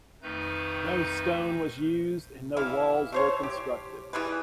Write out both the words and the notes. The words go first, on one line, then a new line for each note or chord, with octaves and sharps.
No stone was used and no walls were constructed.
F2 D#3 A3 D#4 B4 G6
E3 G3 E4 F5
A3 C5 C#5
G4
E3 G3 G#4 B4